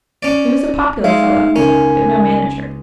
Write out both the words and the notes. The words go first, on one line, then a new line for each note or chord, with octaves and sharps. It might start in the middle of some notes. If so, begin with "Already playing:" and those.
He was a popular fellow, but no manager.
C#4 D5
G#3 D#4 E5 F5
C#2 C#4 A#4 G#5